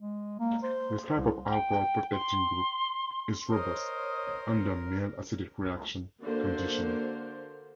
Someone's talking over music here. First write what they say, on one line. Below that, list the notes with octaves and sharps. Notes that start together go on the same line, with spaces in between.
This type of alcohol protecting group is robust under mild acidic reaction conditions.
G#3
A#3
C5
C2
G5
C6
A#4 C5 C#5 D#5
D3 A#3 F#4 C5